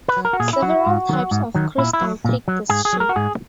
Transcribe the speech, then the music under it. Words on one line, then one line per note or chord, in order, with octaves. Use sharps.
Several types of crystal take this shape.
B4
F#3
A#4
F#4
A#2 G#4
E4
F#3 F#4
G#2
D#3 F#3
G#2
D#3 F#3
A#2 E4
E4
F#3
A#2
F#3
G#2 G#4
G#4
F#3
A#4
F#4
G#2 G#4